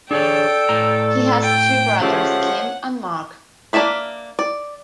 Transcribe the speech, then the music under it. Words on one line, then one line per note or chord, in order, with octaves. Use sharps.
He has two brothers, Kim and Mark.
D4 G#4 A4 C#5 D5 G5
A2 A#5
G5
F3 A3 C#4 F4 G4 G#4 C#5 F#5
A#3 D4 D5 E5 B5
D5